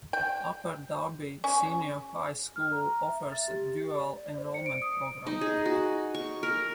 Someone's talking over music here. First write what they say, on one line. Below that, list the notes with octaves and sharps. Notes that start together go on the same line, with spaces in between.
Upper Darby Senior High School offers a dual enrollment program.
G5
C#4
F6
A#5
E5
A6
G4
D5
D5
C5
C#7
D7
D#6
D#4
G#4
F#4
C#6
A#4